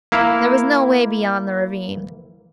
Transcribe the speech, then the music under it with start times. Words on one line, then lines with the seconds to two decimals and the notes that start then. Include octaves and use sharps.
There was no way beyond the ravine.
0.12 A#3 E4 F5